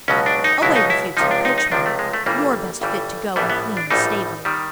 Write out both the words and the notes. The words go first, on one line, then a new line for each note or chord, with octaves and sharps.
"Away with you to the coachman; you're best fit to go and clean the stable."
C#2 B2 F#3 C#4
D4
D#4
C#2 B2 F#3 E4
D#4
E4
C#2 C3 F3 D#4
D4
D#4
D#4
C#2 C3 F3 D4
A3
G#3
A3
G1 G2 E3 G3 A#3
G1 G2 E3 G3
A#1 A2 E3 G3 B3
B3
D4
A#1 A2 E3 G3 D#4
D#3 G3